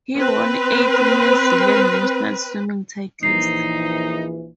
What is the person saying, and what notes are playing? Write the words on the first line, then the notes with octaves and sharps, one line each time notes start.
He won eight New Zealand national swimming titles.
C4 B4
A#1 E3 D#4 C7